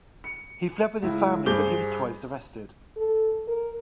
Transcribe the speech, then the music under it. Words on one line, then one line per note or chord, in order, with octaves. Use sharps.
He fled with his family, but he was twice arrested.
C#7
C#2 E4
G2 G#4 C5 D6 G6 G7
A4
A#4